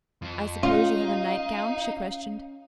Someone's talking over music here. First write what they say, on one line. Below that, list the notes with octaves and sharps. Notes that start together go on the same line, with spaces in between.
"I suppose you have a nightgown?" she questioned.
F2 F3
C#4 D#4 F4 F5